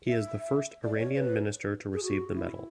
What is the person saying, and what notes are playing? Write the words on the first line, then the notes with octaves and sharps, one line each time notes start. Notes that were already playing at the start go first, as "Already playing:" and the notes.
He is the first Iranian minister to receive the medal.
E5
D5
C#5
C#5
B4
G#4
F#4
E4